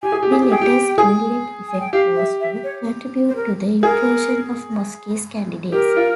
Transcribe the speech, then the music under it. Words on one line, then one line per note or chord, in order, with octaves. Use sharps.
The letter's indirect effect was to contribute to the implosion of Muskie's candidacy.
G4 G#5
G#4
G4
G#4
G4
G#4 G5
G4
G#4
G#5
G5
G4 F5
E5
E5
C#5
C5
A#4
G#4 A#4
G4 A#4
F4